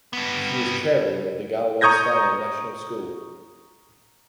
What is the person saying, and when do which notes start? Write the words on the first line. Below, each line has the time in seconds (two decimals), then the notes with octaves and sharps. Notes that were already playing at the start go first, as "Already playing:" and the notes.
She is chairwoman of the Galway Steiner National School.
0.13 G2 B3
1.81 A#5 C#6 D#6 G6 G#6 A#6